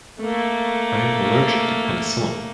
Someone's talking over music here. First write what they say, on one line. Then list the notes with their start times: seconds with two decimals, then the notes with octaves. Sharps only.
I am allergic to penicillin.
0.20 A3 A#3